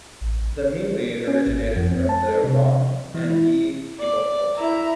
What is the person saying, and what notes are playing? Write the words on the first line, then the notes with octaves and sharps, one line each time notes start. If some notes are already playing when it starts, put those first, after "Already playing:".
The mili originated from the Rong and Yi people cultures.
A1
C#4
G#1
F2
C4
A5
A4
C3
E3
E4
D5
E4 A#5